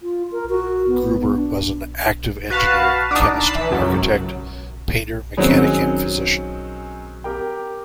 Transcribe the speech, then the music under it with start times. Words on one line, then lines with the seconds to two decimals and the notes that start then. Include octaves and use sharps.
Gruber was an active engineer, chemist, architect, painter, mechanic and physician.
0.01 F4
0.32 A#4
0.50 F#4
0.87 B3
1.34 D4
2.50 F#4 B4 F5 A5
3.11 D4 D#4
3.40 A5 B5 C7
3.55 E3
3.71 C#2 F#2 F#3
5.37 D#3 F#3 C4 C#4 G#4
7.24 G4 A#4 G5